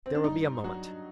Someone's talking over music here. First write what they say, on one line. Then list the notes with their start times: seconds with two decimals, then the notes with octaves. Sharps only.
There will be a moment!
0.06 C4
0.15 D4
0.24 G2 D#4
0.64 F#3 F#4